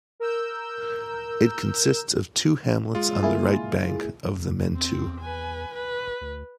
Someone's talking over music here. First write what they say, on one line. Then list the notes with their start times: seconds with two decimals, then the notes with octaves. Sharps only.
It consists of two hamlets on the right bank of the Mentue.
0.20 A#4 E6 G6
2.95 G#3 F4
3.23 A#3 E4 G#4
4.38 E2
4.75 C4
5.21 B4 G#5
5.74 B4
6.21 D2